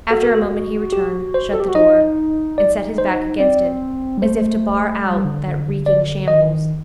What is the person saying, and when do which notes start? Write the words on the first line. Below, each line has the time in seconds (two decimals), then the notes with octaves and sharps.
After a moment he returned, shut the door, and set his back against it, as if to bar out that reeking shambles.
0.10 F#4 A4
0.23 A#4
0.35 A4
0.93 G4
1.34 C5
1.53 A4
1.60 G4
1.68 F#4
1.75 D#4 D#5
2.58 D5
2.98 C5
3.40 C4 D5
4.18 G3
4.22 A3 C5
5.05 G3
5.25 D3
5.46 D3
5.66 D3
5.86 D3 D5
6.28 D#3 D#5